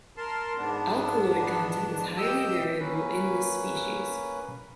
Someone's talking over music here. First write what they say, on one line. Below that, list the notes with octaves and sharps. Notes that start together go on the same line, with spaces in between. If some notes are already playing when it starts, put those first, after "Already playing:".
Alkaloid content is highly variable in this species.
A#4 A5 C6
G#2 B3 D4
A#2 G4 D#5 E6 G6
A#3 C#4 B4